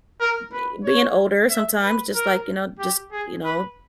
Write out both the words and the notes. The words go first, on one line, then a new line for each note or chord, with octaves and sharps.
be being older sometimes just, like you know, just you know,
A#4
B4
C#5
E5
B4
A#4
G4
G#4
B4